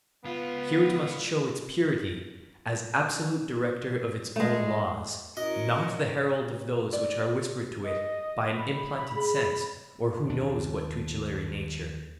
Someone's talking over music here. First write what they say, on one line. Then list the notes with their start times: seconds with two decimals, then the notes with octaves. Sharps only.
Here it must show its purity as absolute director of its own laws, not the herald of those which are whispered to it by an implanted sense or who knows what tutelary nature.
0.24 C#2 B3 F4
4.36 G#3 A3
5.37 C#4 E4 F#4 A#4 D#5
6.93 D5
7.84 D#5
8.58 B5
9.16 G#4
10.29 D#2 D4